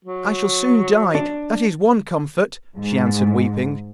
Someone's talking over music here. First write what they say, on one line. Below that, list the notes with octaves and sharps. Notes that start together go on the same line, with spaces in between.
'I shall soon die, that is one comfort,' she answered weeping.
F#3
D4
G#2